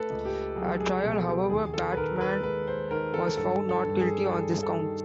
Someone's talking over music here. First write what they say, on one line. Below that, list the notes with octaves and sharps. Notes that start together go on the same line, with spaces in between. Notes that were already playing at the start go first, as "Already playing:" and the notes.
At trial, however, Bachman was found not guilty on these counts.
Already playing: A3 A4 B4
C#2
G4
F#3 G#4
G#4
B2 A4
G4
A4
D#2 G#4
A4
B4
D#2 A#4
A#4
B4
G#3 B4
C5
D#3 A#4
A4
G2 A4
A4
G2
G#4
A4
G3 G#4
A4
D#3